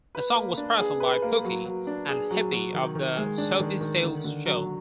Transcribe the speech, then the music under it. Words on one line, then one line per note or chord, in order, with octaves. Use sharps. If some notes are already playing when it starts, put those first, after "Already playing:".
The song was performed by Pookie and Hippy of The Soupy Sales Show.
B4
A#3
D4
G#4
B4
A#3
F#3
F#3
D4
G#4
F#3
F#3
D#3
D#3
G#3
D4
D#3
D#3
D3
D3
F#3